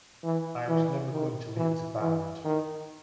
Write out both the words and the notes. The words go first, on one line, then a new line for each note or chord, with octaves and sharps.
I was never going to leave the band.
E3
E3
D#3
E3
E3
D#3